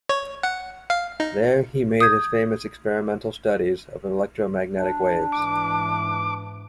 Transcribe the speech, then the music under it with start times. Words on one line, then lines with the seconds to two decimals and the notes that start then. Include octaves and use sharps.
There he made his famous experimental studies of electromagnetic waves.
0.09 C#5
0.43 F#5
0.90 F5
1.20 D#4
2.00 D#6 G6 G#6
4.74 D4
5.32 G#2 E3 D6